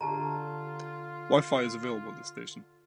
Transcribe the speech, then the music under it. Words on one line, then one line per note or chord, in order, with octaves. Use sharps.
Wi-Fi is available at this station.
D3 F4 G4 A5 A#5